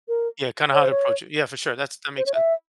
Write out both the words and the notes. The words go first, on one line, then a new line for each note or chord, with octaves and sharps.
Yeah, kinda how to approach it. Yeah, for sure, that's that makes sense.
A#4
C#5
C5
C#5
C5
C#5
E5